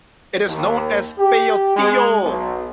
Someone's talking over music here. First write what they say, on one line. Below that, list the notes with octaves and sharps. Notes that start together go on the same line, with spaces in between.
It is known as "Peyotillo".
D#2
G4
G#3
B1